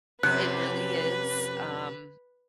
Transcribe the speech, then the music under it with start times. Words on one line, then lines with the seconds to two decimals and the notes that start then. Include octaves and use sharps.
it really is, um,
0.23 F2 C3 C#4 B4 F#6